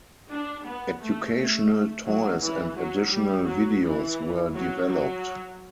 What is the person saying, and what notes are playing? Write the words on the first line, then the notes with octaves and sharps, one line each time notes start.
Educational toys and additional videos were developed.
D4
B3
A3
A3
F#3
E3
F#3
G3
F#3
E3
F#3
F#3